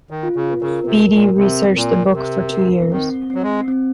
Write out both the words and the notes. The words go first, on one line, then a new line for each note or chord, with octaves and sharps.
Beattie researched the book for two years.
D#3
F4
C#3
C#3 A#4
C3
A#4
A#2
C3 C4
A#2 A#4
C3 A#4
A#4
D#3 C4
F#3 C4
G#3
C4